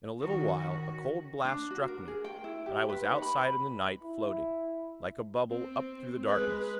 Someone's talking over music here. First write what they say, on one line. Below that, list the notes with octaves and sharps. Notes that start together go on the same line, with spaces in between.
In a little while, a cold blast struck me, and I was outside in the night, floating, like a bubble, up through the darkness.
D#3 C#4 F#4
D4
F#4
A#4
G#4
G5
E4
G4
B4
D#4
B5
E4
C4
G#3 B4